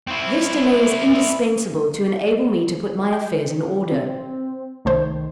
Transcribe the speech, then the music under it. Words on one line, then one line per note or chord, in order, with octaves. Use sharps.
This delay is indispensable to enable me to put my affairs in order.
C4 E4
G5
C4
C2 D#3 A3 C5